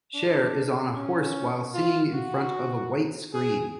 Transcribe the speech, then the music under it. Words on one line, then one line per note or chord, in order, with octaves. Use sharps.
Cher is on a horse while singing in front of a white screen.
D4
C#4
F4
F#4
G#4